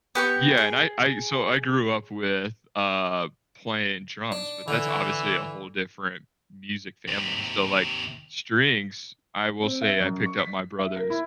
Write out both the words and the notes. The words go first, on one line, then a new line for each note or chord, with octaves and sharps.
Yeah, and I I So, I grew up with, uh, playing drums, but that's obviously a whole different music family, so, like, strings, I will say I picked up my brother's,
B3 G4 C#6
G#4
D4
D3 E3
D#2 C3
C4
E5
F#2
C#6
B6
E5
A#4
E4